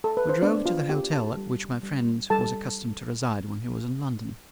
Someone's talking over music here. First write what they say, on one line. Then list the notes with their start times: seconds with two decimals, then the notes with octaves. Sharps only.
We drove to the hotel at which my friend was accustomed to reside when he was in London.
0.04 A4
0.17 B4
0.29 C5
0.42 B3 D4 D5
0.66 F4 F5
0.89 B3 G4 G5
1.13 A4 A5
1.37 G3
1.83 G3
2.30 G3 A4 A5